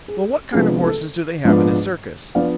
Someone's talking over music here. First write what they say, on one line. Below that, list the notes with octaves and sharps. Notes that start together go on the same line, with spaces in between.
Well, what kind of horses do they have in a circus?
G#4
C3 F3 G#3 B3 D4 G#4
A4
G#2 F3 B3 D4
F3 B3 D4 D5 F5